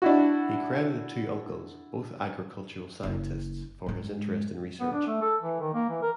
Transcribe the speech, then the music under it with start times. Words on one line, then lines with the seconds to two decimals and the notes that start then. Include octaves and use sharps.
He credited two uncles, both agricultural scientists, for his interest in research.
0.02 D4 E4 F#4
3.03 F#1
3.86 G#2 G#3
4.80 B3
4.93 D4
5.07 A3
5.22 A4
5.41 E3
5.60 D#3
5.74 A#3
5.89 E3
6.02 A#4